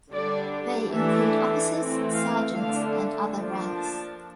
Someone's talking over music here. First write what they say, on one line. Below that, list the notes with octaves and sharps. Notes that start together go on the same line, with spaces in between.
They include officers, sergeants and other ranks.
D3 G3 D4 D5
E3 A3 D4 E5
E3 A3 C4
F5
D3 A3 D4 F5
F3 A#3 D4
A5